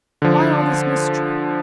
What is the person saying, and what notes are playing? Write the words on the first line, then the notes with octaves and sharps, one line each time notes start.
Why all this mystery?
D3 F3